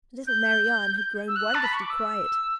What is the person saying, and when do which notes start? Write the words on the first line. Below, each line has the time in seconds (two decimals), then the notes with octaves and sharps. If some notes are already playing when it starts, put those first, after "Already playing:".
Little Marianne had grown wonderfully quiet.
0.27 G6
1.28 E6
1.36 F#6
1.55 A5
1.64 B5
1.73 C#6
1.81 D6
1.90 E6